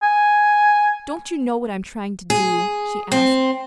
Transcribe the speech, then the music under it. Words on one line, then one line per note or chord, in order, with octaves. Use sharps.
"Don't you know what I'm trying to do?" she asked.
G#5
G#4
C4